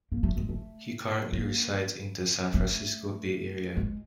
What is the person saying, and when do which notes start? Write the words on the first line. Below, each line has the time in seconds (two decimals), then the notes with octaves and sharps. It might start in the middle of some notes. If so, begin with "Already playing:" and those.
He currently resides in the San Francisco Bay Area.
0.12 A#3
0.23 A3
0.37 G#3
0.49 A3
1.33 A#3
2.54 A3
3.77 G#3